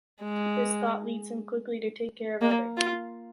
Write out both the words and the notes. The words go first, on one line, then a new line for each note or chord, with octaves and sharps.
This thought leads him quickly to take care of others.
G#3
A#3
F4